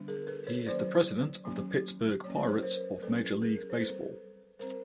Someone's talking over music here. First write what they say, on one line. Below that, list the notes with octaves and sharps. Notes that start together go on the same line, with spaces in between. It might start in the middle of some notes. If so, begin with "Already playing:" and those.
He is the president of the Pittsburgh Pirates of Major League Baseball.
Already playing: D3 G3 B3 D4
G#4 A#4
A4 B4
B4 C#5
D#3 F#3 A#3 C#4 C5 D5
D#3 F#3 A#3 C#4
F#3 A#3 C#4 C#5
C5
B4 C#5
A#4 C5
F#3 A#3 C#4 A4 B4
G#4 A#4
C5
G3 C4 A4 B4
G3 C4 A#4 C5